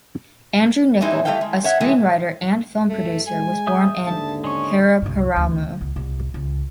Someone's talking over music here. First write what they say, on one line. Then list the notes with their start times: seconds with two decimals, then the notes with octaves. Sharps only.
Andrew Niccol, a screenwriter and film producer, was born in Paraparaumu.
1.01 E3 G3 G#3 D#4 E4
1.25 G3 A3 A#3 E4 F5 G5
1.41 G#3
1.64 C#5 E5 F#5
1.80 C3 E3 G#3 A3 B3
2.89 F#2 A3
3.27 G#3 G#5
3.67 E5 D#6 G6
4.06 D#2 G#2 D3 A5
4.44 G#3 C#4 C#6
5.02 C2 G2
5.36 D2
5.81 C#2
5.96 C2
6.34 C#2